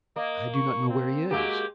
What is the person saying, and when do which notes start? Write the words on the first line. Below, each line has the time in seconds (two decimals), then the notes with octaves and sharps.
"I do not know where he is."
0.16 A#3 D#5
0.54 C#6
0.89 C4
1.31 G#3 A#3 F#4 G4